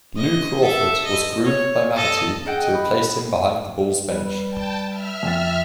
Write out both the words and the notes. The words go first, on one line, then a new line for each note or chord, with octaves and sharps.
Lou Crawford was groomed by Mavety to replace him behind the Bulls' bench.
D#5
A4 E5
D#5
C#5
A4 D#5
G#4 D#5 F#5 G5
B5
G3 B4
G5 A5
E5 F6
F2 G5 A6